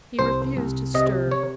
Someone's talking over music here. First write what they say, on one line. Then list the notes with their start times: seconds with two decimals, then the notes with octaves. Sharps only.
He refused to stir.
0.19 C2 C5
0.57 C2
0.94 C3 D#5
1.31 C#5